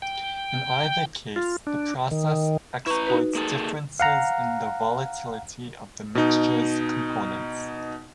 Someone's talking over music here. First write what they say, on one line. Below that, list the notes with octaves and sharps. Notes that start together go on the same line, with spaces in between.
In either case the process exploits differences in the volatility of the mixture's components.
G5
F4
D4
D#3
E4 B4 A#5 C#6
D#4 F#4 B4
A#3 G#4 A4
F5 F#5 A#5
B2 D#4